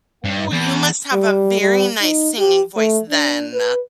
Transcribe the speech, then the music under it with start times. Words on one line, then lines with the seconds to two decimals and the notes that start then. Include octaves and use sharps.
Ooh, you must have a very nice singing voice then.
0.25 G2
0.52 E2
1.13 G3
1.61 G3
2.01 D#4
2.38 G4
2.76 A3
3.09 D4
3.53 B4